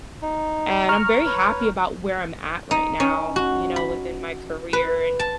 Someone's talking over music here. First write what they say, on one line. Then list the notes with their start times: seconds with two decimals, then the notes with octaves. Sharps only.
and I'm very happy about where I'm at right now, you know, within my career, and,
0.22 D#4
0.89 A#5 C#6 F6
1.26 B4 C#5
2.71 D#4
3.00 C#4
3.36 F#4
3.76 B5
4.73 B4
5.19 A5